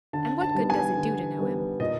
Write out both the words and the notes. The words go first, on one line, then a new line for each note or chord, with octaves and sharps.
"And what good does it do to know him?"
D3 A5
A5
G3 B3
G#5
D3
G3 B3
A#2 D#5